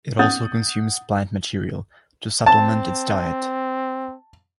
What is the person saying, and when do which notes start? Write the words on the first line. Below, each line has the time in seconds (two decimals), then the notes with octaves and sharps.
It also consumes plant material to supplement its diet.
0.19 F#5 D#6 G6 A6
2.46 C4 A5